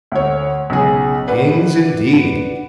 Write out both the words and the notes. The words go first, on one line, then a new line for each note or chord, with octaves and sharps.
Kings, indeed!
D2 C#5
B1 C#3 G#4
B4 D5 F#5 B5